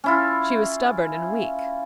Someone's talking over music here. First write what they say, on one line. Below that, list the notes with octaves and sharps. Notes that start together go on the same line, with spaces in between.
She was stubborn and weak.
C#4 E4 F4